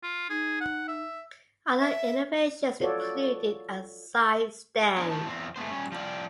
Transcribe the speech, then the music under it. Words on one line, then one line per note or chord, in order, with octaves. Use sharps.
Other innovations included a side stand.
F4
D#4 G#4
F#5
E5
E5
F4 F#4 A4 C#5 D5
B3 D4 G#4 A#4
E4 F#4 C5 A5
E2 A#2 C4
G#3 A3 B3 C5
G3 C#4
F3 G3 C4 D5